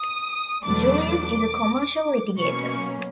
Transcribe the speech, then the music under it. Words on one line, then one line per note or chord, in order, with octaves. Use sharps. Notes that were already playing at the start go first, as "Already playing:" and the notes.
Julius is a commercial litigator.
Already playing: D#6
E2 B2 F#3 A3 D4 D6
B2 F#3 A#3 C#4 C#6